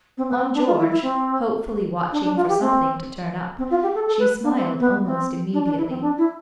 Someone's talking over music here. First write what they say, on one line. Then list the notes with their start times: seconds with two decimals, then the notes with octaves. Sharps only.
On George, hopefully watching for something to turn up, she smiled almost immediately.
0.17 C4
0.29 B3
0.42 C4
0.54 D4
0.66 F4
0.79 E4
0.90 E4
1.02 C4
2.12 D4
2.24 D4
2.36 F4
2.48 G4
2.60 C4
3.58 C4
3.70 F4
3.82 G4
3.95 A4
4.07 A4
4.19 B4
4.43 D4
4.56 C4
4.79 B3
5.04 C4
5.53 D4
5.65 D4
5.77 E4
5.89 C4
6.01 D4
6.18 E4